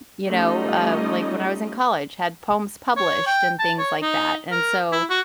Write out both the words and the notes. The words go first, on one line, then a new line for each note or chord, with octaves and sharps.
you know, uh, like, "when I was in college, had poems published and things like that." And so,
G3 A3 C#4 D#4 F4 D#5
C#5
G5
A5
C#5
D#4
A#4
E4
F#4